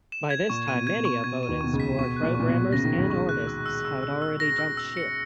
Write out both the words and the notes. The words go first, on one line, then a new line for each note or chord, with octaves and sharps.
By this time many of Odin's core programmers and artists had already jumped ship.
E7
G#6
A#2 C#6
D#7
B2
G#6
B2
C#6
B2 G#6
D#7
D#2 D#3
B2 C#6
C#2 C#3
B6
B2 C#6
F#6
A#2
A#2 C#6
B2
C#6
C#3 A#6
D#3
A#6
C#2 C#3
C#6
F#6
E6
E6
E6
E6
E6
A#6
E6
E6
C#7